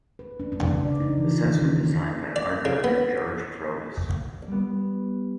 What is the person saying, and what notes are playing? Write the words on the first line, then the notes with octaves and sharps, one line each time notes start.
The sets were designed by the art director George Provis.
B4
D4
D4
C#3
D5
D#4
E3
F4
D#3
C#4
D#3
D5
C#3
B3
G3 B3